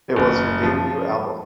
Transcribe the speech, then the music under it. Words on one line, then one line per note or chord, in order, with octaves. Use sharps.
It was her debut album.
F#1
F3